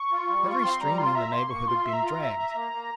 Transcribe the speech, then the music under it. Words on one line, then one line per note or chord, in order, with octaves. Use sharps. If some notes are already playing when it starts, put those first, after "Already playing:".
Every stream in the neighbourhood had been dragged.
Already playing: C#6
F4
G3
F4
C4 C6
G3 A#5
F4 C6
E5 A#5
A#3 C6
A#3 C#6
F4 C6
E5
A#5
F4
E5
E5
A#3
A#3